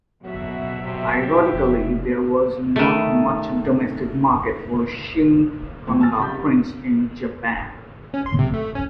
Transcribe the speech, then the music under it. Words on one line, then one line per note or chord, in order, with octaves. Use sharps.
Ironically, there was not much domestic market for "shin-hanga" prints in Japan.
B2 F#3 F#4 E5
C3
G4
F1
D#3 A3
A#2 E3 A3 C4
G#5 A5 E6 F6 A6
F#1 C2 G3 B5 G6
G3
C#4
C6
C3
A3
C#4